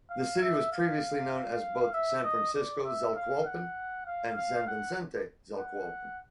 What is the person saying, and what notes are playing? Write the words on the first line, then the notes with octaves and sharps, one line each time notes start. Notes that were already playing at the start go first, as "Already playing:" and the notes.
The city was previously known as both San Francisco Zacualpan and San Vicente Zacualpan.
F5
E5
F5
F5
E5
D#5
D5
E5
F5
F#5
F5
F5
F#5
F#5